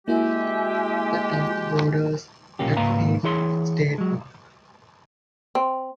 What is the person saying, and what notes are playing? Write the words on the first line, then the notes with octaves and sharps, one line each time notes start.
The town borders Taconic State Park.
G#3 A#3 E4 F#4 G4 E5 G#5
B1 A#2 A#3 C#4 G4
C#2 G#2 A#3 B4 F5 A#5
E3 E4 G#4 C#5 C6
F#3 G#3
C4